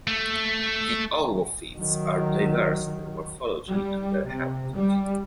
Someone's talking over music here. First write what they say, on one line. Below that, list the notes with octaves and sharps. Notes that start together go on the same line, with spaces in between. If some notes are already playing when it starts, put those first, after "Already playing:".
The Ulvophytes are diverse in their morphology and their habitat.
A3
D#3 F#3
G3
C3
G3